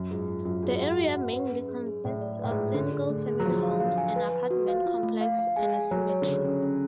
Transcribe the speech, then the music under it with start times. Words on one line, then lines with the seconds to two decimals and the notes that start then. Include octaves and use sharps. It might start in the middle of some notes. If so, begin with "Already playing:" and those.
The area mainly consists of single-family homes, an apartment complex, and a cemetery.
Already playing: F#2
0.11 G#2 F4
0.28 F4
0.45 F#2 F4
0.63 G#2 F#4
0.80 F#5
0.98 F#4
1.17 F#5
1.33 B4
1.51 C#4
1.69 G#4
1.86 G#4
2.04 A2 D5
2.21 D5
2.39 A2 B4
2.51 G#2
2.57 F4
2.74 D3 D5
2.92 G#4
3.10 A3
3.28 G#4
3.40 F#3
3.45 F3 G#4
3.63 F5
3.80 F5
3.98 G#5
4.16 B4
4.33 B4
4.51 F#4
4.68 F5
4.86 F4
5.03 A3
5.21 F5
5.39 F5
5.56 G#3 G#5
5.74 G#5
5.91 F#3 C#5
6.10 C#5
6.22 D3
6.26 C#3 C#5
6.45 C#4
6.63 C#4